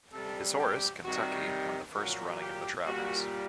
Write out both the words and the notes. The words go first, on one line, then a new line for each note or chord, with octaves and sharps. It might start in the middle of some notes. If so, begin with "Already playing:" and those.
His horse, Kentucky, won the first running of the Travers.
C3 G3 A4
G4
C3 D#3 G3 F#4
A#2 F#3 F#4
G4
A#2 G3 F#4